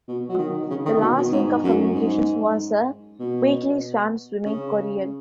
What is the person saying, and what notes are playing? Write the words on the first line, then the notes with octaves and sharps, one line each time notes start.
The last link of communications was a weekly swamp swimming courier.
B2
F#3
D#3
C#3
D#3
B2
B2
G#2
F#2
G#2
B2
C#3